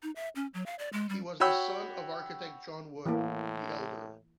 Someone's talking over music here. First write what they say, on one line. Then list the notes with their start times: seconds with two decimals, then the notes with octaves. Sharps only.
He was the son of the architect John Wood, the Elder.
0.03 D#4
0.16 E5
0.35 C#4
0.54 F#3
0.66 F5
0.79 D5
0.93 G#3
1.09 G3
1.40 F#4 C#5 G5 B5 E6
3.06 A2 E3 A#3